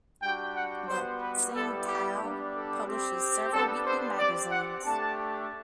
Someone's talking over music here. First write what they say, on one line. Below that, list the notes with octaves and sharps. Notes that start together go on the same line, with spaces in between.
The "Sing Tao" publishes several weekly magazines.
G3 D4 F#4 G5
F#5
G3 B3 F#4 C5
B4
G3 B3 E4 G4 A4
G4
G3 B3 D4
A4
C4 G4
G3 B3 D4 A4
C5
C4 G4 D5
F#5
A3 D4 G4 A5